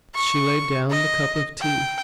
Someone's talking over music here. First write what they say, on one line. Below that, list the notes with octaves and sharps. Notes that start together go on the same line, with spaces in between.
She laid down the cup of tea.
C#6
D#5
G5